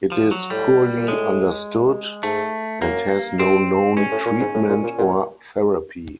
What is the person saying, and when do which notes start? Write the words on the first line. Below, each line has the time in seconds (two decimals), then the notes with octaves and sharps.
It is poorly understood and has no known treatment or therapy.
0.12 F3
0.31 F#3
0.50 A2 G3
0.97 A#2
1.08 A2 G#3
2.23 G#2 A3
2.82 F#2 A#3
3.39 G2 C4
3.97 G2 C#4
4.11 A2
4.25 A#2
4.40 G#2
4.54 A2
4.69 A#2
4.84 A#2
4.98 A#2